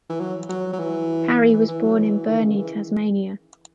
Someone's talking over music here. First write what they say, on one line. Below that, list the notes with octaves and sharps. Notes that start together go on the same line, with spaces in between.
Parry was born in Burnie, Tasmania.
E3
F#3
F#3
F#3
E3
E3
E3
F#3
E3
D#3
C#3
E3